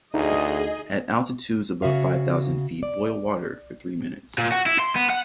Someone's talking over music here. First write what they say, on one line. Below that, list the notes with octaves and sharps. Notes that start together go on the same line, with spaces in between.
At altitudes above five thousand feet, boil water for three minutes.
D2 D#4 G#4 D#5
C#3 F#4 E5 F5
D5
A#2
F#4
E4
C6
B3
F#5